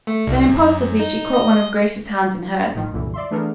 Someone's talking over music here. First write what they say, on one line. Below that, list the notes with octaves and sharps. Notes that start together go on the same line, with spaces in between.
Then impulsively she caught one of Grace's hands in hers.
A3
C2
F#2
D#4
D#5
A1 D#3 F3
C2 F#2 A#2 D3 E3
D5 E5 C6
E3 A3 B3 D4 G#4 A#4